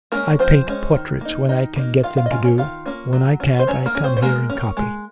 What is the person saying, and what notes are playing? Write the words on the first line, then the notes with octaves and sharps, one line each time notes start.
'I paint portraits when I can get them to do; when I can't, I come here and copy....
G#3 A#3 C#4 A#4
F3 C4 C5
G#3 C#4
D#3
A#3 D#4
D#3 D#4 D#5
A#3 D#4
D#3 F4 F5
F4 F5
D#5
A#3 C#4 F4 F5
C#4 C#5
D#3 F4 F5
A#3 C#4
F#3
C#4
C5
F#3 C#4 C#5
A#3 A#4
C#4
C4 C5
C5
G#3 A#3 A#4
C#4
G#3